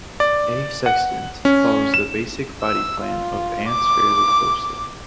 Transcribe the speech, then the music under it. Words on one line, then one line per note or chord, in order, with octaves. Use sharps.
"A. sexdens" follows the basic body plan of ants fairly closely.
D5
F#5
C#4
E7
E6
F4
D6